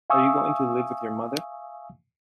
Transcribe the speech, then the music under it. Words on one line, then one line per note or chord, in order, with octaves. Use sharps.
Are you going to live with your mother?
E5 F5 G#5 C#6 D#6 E6